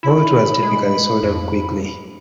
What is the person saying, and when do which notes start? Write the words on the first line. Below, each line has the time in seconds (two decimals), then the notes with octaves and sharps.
All tours typically sold out quickly.
0.03 E4 B5
0.62 G#3
1.23 F2